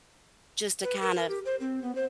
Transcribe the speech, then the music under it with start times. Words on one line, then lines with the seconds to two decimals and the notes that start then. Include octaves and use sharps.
just to kind of
0.83 B4
1.01 A#4
1.16 A#4
1.28 G4
1.45 C5
1.60 C4
1.82 B3
1.95 C5